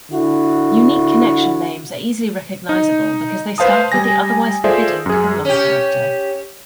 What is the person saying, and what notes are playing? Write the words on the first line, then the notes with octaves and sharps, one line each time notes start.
Unique connection names are easily recognizable because they start with the-otherwise forbidden-colon character.
D3 E4 F#4
D#4
B4 C5 F5 A5 D#6
G3 G#5 A#6
F4 G#4 A4 C5 D5 E5
F#2 G#4
C#4 G4